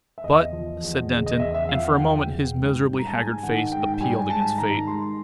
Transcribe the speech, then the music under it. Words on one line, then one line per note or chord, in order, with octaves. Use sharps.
"But--" said Denton, and for a moment his miserably haggard face appealed against fate.
E5
E2 D#5
F3
E2
C#3
D#5
E2 E5
E5
F3 F5
F#5
E2 G5
C#3
G#2
G3
A#5
A5
G#2 G#5
D#3 F#5
G#2 G5
G5
G3 G#5
G#5
G#2 A5
D#3 A#5
G#3 C6